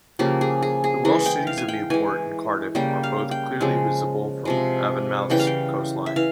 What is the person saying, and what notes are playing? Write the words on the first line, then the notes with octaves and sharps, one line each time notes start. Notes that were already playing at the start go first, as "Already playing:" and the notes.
The Welsh cities of Newport and Cardiff are both clearly visible from Avonmouth's coastline.
C#3 F3 A#3 G4
G#4
G#4
G#4
E3 G#3 G#4
G5
F5
G#5
G5
E3 G#3 G#5
C#3 G3 A#3 G5
F5
G5
C#3 F3 G#3
C3 F3 G#3
C#3 E3 G3 G5
F5
G5
E5
E3 F5